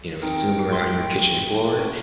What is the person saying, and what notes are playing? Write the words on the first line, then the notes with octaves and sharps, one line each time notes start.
you know, zoom around your kitchen floor.
C4 D#4 A#4 G5
A2 C6
C#4 A#4